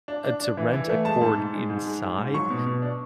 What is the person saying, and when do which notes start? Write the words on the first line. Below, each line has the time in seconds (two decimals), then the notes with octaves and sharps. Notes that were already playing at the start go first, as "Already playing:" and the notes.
uh, to rent a court inside
0.08 D4
0.24 D4
0.41 D4
0.57 E3
0.73 E3
0.89 A3
1.05 G#3 A5
1.21 G#2
1.37 G#2
1.53 G#3
1.70 G#2
1.87 G#3
2.03 G#3
2.18 G#2
2.34 F#3 C#6
2.50 B2
2.66 B2
2.82 D4